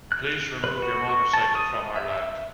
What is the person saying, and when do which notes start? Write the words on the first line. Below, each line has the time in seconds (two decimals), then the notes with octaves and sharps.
Please remove your motorcycle from our land.
0.12 F#6
0.64 B4
0.82 F#4
1.09 C#6
1.33 A5
1.55 D#6
1.96 E5